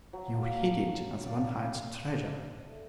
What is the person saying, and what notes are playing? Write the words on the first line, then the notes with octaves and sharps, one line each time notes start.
You hid it as one hides treasure.
F#3
A#3 A#4 A5
D5 F5 B5
F5
A3